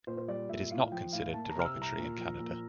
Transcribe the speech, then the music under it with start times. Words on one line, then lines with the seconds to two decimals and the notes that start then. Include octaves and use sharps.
It is not considered derogatory in Canada.
0.07 A#2 C5
0.17 C5
0.28 G3 D5
0.49 A#2 E5
0.71 A2 F5
0.92 F3 G5
1.13 A2 F5
1.34 A#3 A5
1.45 A5
1.50 A#5
1.56 C3 F6
1.65 E6
1.76 C2
1.82 A#5
1.98 A#2
2.18 F3
2.40 A#2